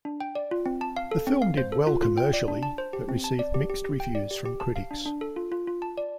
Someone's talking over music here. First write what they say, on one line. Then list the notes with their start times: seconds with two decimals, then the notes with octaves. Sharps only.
The film did well commercially, but received mixed reviews from critics.
0.05 D4
0.20 G5
0.35 D5
0.51 F4
0.66 C4
0.81 A5
0.97 F5
1.11 A4
1.27 C4
1.42 F5
1.57 C5
1.72 A4
1.87 F4
2.03 F4
2.18 G5
2.33 D5
2.48 D4
2.63 A5
2.78 C5
2.93 G4
3.09 C4
3.24 A5
3.39 D5
3.54 G4
3.69 G4
3.84 G4
4.00 G5
4.15 D5
4.31 G4
4.46 G4
4.60 A5
4.76 F5
4.91 D4
5.06 D4
5.21 A4
5.36 F4
5.52 F4
5.67 F4
5.82 A5
5.98 D5